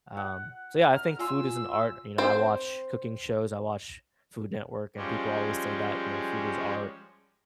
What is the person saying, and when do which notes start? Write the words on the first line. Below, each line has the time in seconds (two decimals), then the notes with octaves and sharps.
Um, so yeah, I think food is an art, you know, I watch cooking shows, I watch Food Network, and people always say that, you know, "Food is art."
0.17 F#5
0.93 A#5 F6
1.19 F4 G#5 C6 E6
2.18 C4 C5
4.96 F3 G3 G#3 C#4 G4